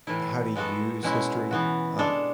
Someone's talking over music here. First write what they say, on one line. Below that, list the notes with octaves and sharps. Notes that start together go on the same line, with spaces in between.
how to use history, um,
A2 E3 A3 E4
G#3 B3 F#4 A4
B2 G#3 C#4 E4
E3 B3 F#4
G#3 D4 A4